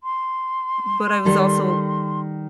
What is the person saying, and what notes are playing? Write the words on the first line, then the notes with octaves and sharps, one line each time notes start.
but I was also,
C6
D#3 G3 A4